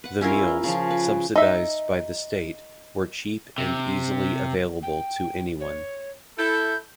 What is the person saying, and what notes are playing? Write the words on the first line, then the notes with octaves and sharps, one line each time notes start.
The meals, subsidized by the state, were cheap and easily available to anyone.
B4 F#5
C#4 E4 F4 A#4
C#3 F3
B4
D#4 E5
C3
G5
C#5
E4 A4 G6